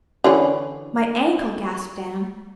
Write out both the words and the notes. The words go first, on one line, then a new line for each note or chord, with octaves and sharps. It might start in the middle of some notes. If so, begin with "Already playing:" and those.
"My ankle," gasped Anne.
D3 E3 C#4